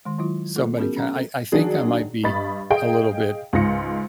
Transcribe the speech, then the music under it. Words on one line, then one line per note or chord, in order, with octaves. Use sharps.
somebody, kin I I think I might be a little bit
D#3 G#3
D#3 F#3 E4 F4
A3 F4 A4
B3 C#4 F#4 G#4 A#4
C#4 A#5
A4
D#3 F#3 D4 G#4
G2 D#5 B5 A6
G#4 D#5 F5 G5
C#2 G#2 F4 A#6 C#7